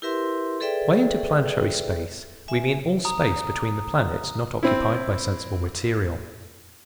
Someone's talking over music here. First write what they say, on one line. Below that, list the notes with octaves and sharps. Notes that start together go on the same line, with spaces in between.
By interplanetary space we mean all space between the planets not occupied by sensible material.
E4 G4 A#4 B4 E5 C6
G#4 A4 B4 D5 E5 G5
E5 G#5
A#5 D#6
C4 E4